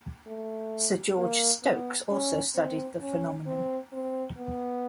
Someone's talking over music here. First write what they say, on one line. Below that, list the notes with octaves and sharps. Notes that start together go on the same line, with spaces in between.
Sir George Stokes also studied the phenomenon.
A3
A#3
B3
C#4
C4
C#4
C4
C4
B3